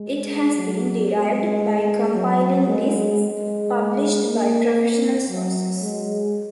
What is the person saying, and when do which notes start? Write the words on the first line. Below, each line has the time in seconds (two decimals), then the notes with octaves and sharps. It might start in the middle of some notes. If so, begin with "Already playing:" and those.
It has been derived by compiling lists published by professional sources.
Already playing: G#3
0.57 F#3
1.10 G#3
2.15 F#3
2.67 G#3
3.20 G#3
4.25 A#3
5.30 F#3
5.82 G#3